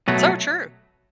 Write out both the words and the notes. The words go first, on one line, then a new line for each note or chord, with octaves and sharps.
So true.
B2 F#3 A3